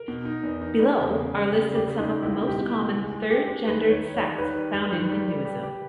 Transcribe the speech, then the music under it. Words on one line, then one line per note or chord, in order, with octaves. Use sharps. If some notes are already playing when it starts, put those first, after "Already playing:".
Below are listed some of the most common third-gender sects found in Hinduism.
Already playing: A#4
B2
D#4
E2
D#4
G3
E2
C#3
G3
C#3 G4
G3
G4
C#3
D#4
G3
C#2 E4
B2
G4
B2
C#2
G#3
G#3
G4
G#3
D#3 B4
D#3
C#5
D#3
C#5
G3
D#3 B4
G3
G2
D#3
G3
G3
G4
G4